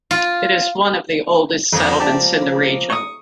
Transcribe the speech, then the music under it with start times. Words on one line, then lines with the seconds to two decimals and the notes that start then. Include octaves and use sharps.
It is one of the oldest settlements in the region.
0.11 F4
1.73 F2 F3 A#3 C4
2.00 G4 D5 A5
2.90 C#6 D#6